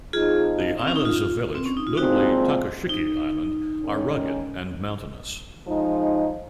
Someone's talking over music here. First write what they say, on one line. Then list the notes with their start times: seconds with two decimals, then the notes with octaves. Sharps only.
The islands of village, notably Tokashiki Island, are rugged and mountainous.
0.13 F3 C4 D#4 F4 G#4
0.78 C4
0.87 C#4
0.96 D#4
1.05 F4
1.55 C4
1.65 C#4
1.77 D#4
1.87 F4
1.97 A#2 F3 G#3 C4 D#4 F#4
2.90 D#4
3.81 D#3 G#3 C#4
5.65 F3 G#3 D#4